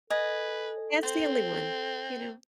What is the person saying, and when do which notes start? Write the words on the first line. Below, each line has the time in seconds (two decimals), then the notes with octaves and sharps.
That's the only one, you know?
0.10 A4 B4 D#5 G#5
1.03 C4 C5